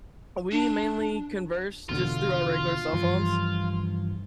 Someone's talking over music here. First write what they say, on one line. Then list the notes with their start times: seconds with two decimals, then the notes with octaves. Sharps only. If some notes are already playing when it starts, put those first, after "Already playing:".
we mainly converse just through our regular cell phones.
0.52 D4
1.89 E2 B2 D3 F4
2.93 G2 E3 F3